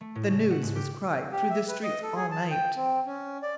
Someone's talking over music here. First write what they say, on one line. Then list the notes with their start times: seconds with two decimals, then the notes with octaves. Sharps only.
The news was cried through the streets all night.
0.01 A3
0.15 A2
0.30 C#3
0.50 F#5
0.62 G#2
0.75 G4
1.32 G4
1.50 E5
1.68 B4
1.83 D#5
2.03 A4
2.15 G#4
2.31 A5
2.51 G5
2.76 C4
3.06 C#4
3.43 D5